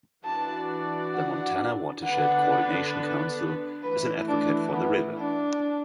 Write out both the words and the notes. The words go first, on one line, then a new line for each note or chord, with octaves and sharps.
The Montana Watershed Coordination Council is an advocate for the river.
E3 D4 F#4 D5 A5
F#5
D3 B3 D4 B4 F#5
E3 A3 E4 B4
D4
B3
D4